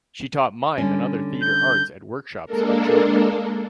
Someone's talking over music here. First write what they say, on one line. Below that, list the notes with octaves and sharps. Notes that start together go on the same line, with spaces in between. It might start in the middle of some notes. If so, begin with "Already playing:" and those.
She taught mime and other theatre arts at workshops for children.
D3 G3 C#4
G6
G#3 A#3 D4 A4 A#4